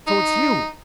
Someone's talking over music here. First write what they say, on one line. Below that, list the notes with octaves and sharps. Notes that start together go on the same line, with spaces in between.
"So it's you!"
D#4